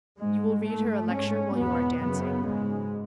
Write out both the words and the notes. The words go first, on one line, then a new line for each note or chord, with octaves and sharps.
"You will read her a lecture while you are dancing?"
G#2 G#3
G#2 A3
G#2 C#4
E2 B2 B3
F#2 C#3 B3
G#2 G#3